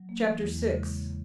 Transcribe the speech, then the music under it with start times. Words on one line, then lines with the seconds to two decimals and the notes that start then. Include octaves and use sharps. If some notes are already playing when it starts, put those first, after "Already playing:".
Chapter VI.
Already playing: F#3
0.09 A#3
0.25 E3
0.40 E2
0.56 G#3
0.71 C#3